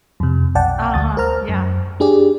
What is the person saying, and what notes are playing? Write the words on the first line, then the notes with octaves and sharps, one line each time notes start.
Uh-huh, yeah,
F2 C3
B1 D5 F#5 G5 A5
D2 D#6 A6
A#4 C5 A#5 F6
F#2
D4 G4 G#4 D5